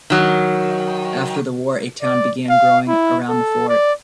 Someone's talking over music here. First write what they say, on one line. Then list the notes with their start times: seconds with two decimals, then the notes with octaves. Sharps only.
After the war, a town began growing around the fort.
0.10 D#3 F#3
2.02 D5
2.50 F5
2.88 E4
3.29 A4
3.69 D5